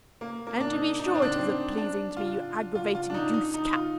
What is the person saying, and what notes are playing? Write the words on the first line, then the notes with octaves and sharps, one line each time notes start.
"And to be sure it isn't pleasing to me, you aggravating goose-cap!"
A#3
A#3
D4
D#4
D#4
D4
C4
D4
C4
D4
F4
F4
F4
D4
D#4
D#4
D#4
F4